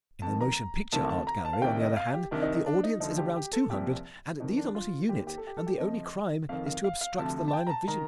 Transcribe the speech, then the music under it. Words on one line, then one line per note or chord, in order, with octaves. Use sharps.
In the motion picture art gallery, on the other hand, the audience is around two hundred, and these are not a unit, and the only crime is to obstruct the line of vision.
F2 D#3 A5
A#5
D2 C3 D#3 A5
A5
A#5
A5
F5
C2 C3 D#3 G5
D#5
F5
G4
C2 C3 D#3 D4
D#4
D#4
D4
D#4
D2 D3 F3 D#4
G4
G4
A4
C2 A#2 F3 G4
F2 D#3 D#4
D4
F4
D#2 D#3 G4
G4
A4
G4
A4
G4
F2 C3 F3 D#5
F2 D#3 F5
F5
F5
F5
D2 C3 F3 A5
A5
G5
A#5
A5
D#3 A#5